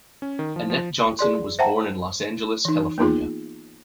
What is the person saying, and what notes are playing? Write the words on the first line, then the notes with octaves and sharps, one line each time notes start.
Annette Johnson was born in Los Angeles, California.
C#4
D#3
F3
F3
G#4 D5 C6
C5 E5 F#5 G5 A5 A#5
E3 D#4
A#3 B3 D#4 F4 G#4